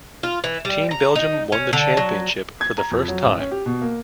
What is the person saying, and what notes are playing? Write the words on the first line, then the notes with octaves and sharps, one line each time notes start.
Team Belgium won the championship for the first time.
F4
E3
G3
A#5
D#4
C#4
D3
F#3
G#6
A#5
F2
F#3
A1
C#4
G4
B2
A#3